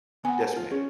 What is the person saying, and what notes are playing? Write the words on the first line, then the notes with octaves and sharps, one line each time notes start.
Yes, ma'am.
B3 F#5 G#5
A5
F4
C#4 G#4